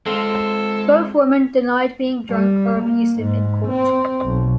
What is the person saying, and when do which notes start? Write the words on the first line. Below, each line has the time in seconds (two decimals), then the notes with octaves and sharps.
Both women denied being drunk or abusive in court.
0.06 G#3 C4 F4 A4
2.30 G3
2.78 A#3
3.19 G#2
3.68 C4
4.24 B1